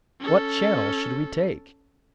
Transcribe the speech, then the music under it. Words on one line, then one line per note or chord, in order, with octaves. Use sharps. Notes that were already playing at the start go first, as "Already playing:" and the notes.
What channel should we take?
C#4 A4